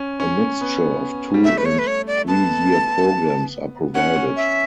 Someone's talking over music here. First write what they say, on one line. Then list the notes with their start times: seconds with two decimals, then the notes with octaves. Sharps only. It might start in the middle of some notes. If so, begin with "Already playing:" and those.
A mixture of two- and three-year programs are provided.
Already playing: C#4
0.20 C#4
0.61 B3
1.34 G3
1.44 A3 E5
1.58 B4
1.65 C#5
1.79 B4
1.87 C#5
2.07 D5
2.28 B3 A5
3.95 C#4 F#5
4.16 C#4
4.36 E5